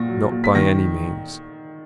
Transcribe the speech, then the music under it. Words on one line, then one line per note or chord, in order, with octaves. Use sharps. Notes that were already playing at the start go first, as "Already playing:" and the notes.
Not by any means!
Already playing: A#2 A#6
F#3
A#2
B6
D#3 A#6